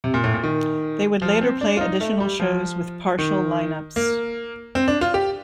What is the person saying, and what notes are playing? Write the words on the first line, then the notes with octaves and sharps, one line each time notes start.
They would later play additional shows with partial lineups.
C3
A#2
A2
A#2
D#3
F3
C4
D4
F4
D#4
A3
G3
F3
D#3
A#3
C4
D4
F4
G4